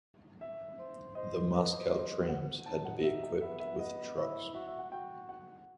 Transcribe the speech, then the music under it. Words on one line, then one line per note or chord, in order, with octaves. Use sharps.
The Moscow trams had to be equipped with trucks.
E5
C5
C5 D#5
B4 D#5
C5
C5 D#5
F#5
D#4 A5
F#5
E5
B3 E5
E5
B3 D#5
E4
F#4 E5
E5
F#5
F#4 G5
F#5